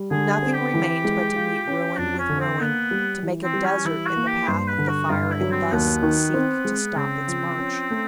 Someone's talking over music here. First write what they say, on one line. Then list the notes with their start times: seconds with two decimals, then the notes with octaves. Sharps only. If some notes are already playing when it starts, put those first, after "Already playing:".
Nothing remained but to meet ruin with ruin, to make a desert in the path of the fire and thus seek to stop its march.
Already playing: G3
0.11 D3 G#4
0.32 G#4
0.43 C4
0.53 G4
0.74 E3
1.04 G#3
1.36 F4
1.68 C#4
1.98 F2 D4
2.19 C#4
2.29 D3
2.40 C4
2.60 A#3 B3
2.91 G3
3.23 E3
3.44 C4
3.53 G3
3.65 C#4
3.85 E3 E4
4.06 F#4
4.16 A#3
4.27 G4
4.48 G2 C5
4.68 B4
4.78 D3
4.88 F#4
5.10 G2 F4
5.31 E4
5.41 F#3
5.51 C4
5.72 D#2 B3
6.02 D#3
6.34 C4
6.65 G#3
6.96 C#3 C4
7.28 F3
7.58 C#4
7.91 A3